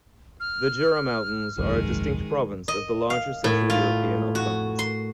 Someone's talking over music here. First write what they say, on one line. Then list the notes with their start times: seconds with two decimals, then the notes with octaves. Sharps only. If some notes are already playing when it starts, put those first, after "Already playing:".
The Jura Mountains are a distinct province of the larger Central European uplands.
0.40 F6
1.58 G1 C2 F2 D#3 G#3 G#4
2.68 D#5
3.10 F5
3.44 A2
3.70 F4
4.35 F#4
4.79 C6